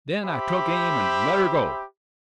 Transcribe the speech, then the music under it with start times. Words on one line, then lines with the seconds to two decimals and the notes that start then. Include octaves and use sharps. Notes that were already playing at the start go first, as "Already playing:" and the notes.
Then I took aim an' let her go.
0.24 G4 C5 E5 B5